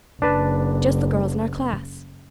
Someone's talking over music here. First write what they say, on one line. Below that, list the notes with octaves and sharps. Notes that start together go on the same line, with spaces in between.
"Just the girls in our class."
F#1 D4 B4 A5